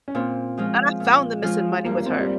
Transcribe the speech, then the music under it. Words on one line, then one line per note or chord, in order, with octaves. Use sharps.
And I found the missing money with her.
C#4
A#2 C4
F3 G#3 C#4 F4
A#2
F3 G#3 C#4 F4
G2 A#3
C4
G3